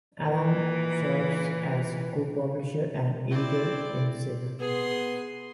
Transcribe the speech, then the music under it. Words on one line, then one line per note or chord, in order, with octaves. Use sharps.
Adams serves as co-publisher and editor-in-chief.
A#2 E3
C4 E4 D5
B3 G#4 C6